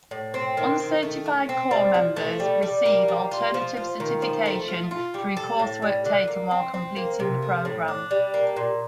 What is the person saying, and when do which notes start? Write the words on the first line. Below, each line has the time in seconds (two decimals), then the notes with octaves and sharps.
Uncertified corps members receive alternative certification through coursework taken while completing the program.
0.11 A2
0.34 C4
0.57 D#3
0.80 D#3
1.03 A3
1.26 A3
1.49 C4
1.71 G3
1.94 F3
2.16 A3
2.40 G3
2.63 G3
2.85 A#3
3.08 G3
3.31 F4
3.54 F3
3.77 F4
4.00 D#3
4.22 F3
4.46 A3
4.68 F4
4.91 F4
5.14 G3
5.37 A4
5.60 A2
5.82 G3
6.05 D3
6.28 A#3
6.51 C4
6.74 C4
6.96 A#3
7.20 C3
7.42 A3
7.65 A2
7.88 D4
8.11 G3
8.34 A#3
8.57 A#2